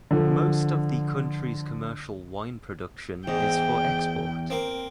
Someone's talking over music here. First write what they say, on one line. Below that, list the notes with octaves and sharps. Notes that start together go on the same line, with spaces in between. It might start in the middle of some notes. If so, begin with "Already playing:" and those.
Most of the country's commercial wine production is for export.
D3 F3
E2 G#2 G5
A#3 C4